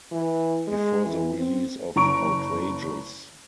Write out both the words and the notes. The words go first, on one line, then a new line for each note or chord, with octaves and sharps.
Before the release of Outrageous!
E3
G#3
E3
C4
F#1 A#5 C#6 D7